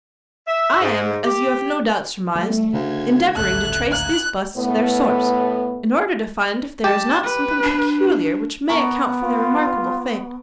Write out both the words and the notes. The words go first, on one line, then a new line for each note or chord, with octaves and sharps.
I am, as you have no doubt surmised, endeavouring to trace these busts to their source, in order to find if there is not something peculiar which may account for their remarkable fate.
E5
G#2
G4
E3 G3 A3
D2 C#3 G#6
D#1 A1 D2 A3 F#6
A#3 F#6
A2 B3
G4 A5
B4
D4
B3 A#4 A5 C#6
F4